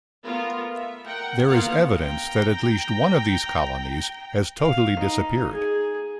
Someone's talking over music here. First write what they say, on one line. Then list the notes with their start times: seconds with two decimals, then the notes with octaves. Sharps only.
There is evidence that at least one of these colonies has totally disappeared.
0.24 A3 B3 F4 A#4
0.74 E5
1.05 A#4 F#5 G5
1.46 A#3 B3 F4 A#4 F5 F#5
2.01 G5 A#5
4.59 F5
4.99 D#4
5.52 G#4